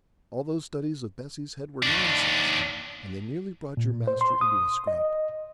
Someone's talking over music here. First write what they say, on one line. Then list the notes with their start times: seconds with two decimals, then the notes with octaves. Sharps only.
All those studies of Bessie's head were nonsense, and they nearly brought your master into a scrape.
1.83 D#2 D4
3.77 A#2
4.07 C5
4.21 C6
4.41 D#6
4.87 D#5